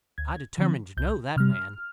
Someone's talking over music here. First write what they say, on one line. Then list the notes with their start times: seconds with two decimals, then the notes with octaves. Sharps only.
I determined to know that man.
0.18 D2 G#6
0.58 D3 F3 C4
0.97 C2 G6
1.36 C3 G3 F6